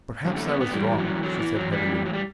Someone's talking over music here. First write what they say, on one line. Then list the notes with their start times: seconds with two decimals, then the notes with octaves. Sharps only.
"Perhaps I was wrong," she said heavily.
0.25 F#2 D3
0.36 A3
0.49 B3
0.60 B3
0.73 G2 E3 G3
0.98 F#3
1.23 E2 D3 F#3
1.39 E3
1.55 F#3
1.71 A2 E3 G3
2.06 F#3
2.13 G3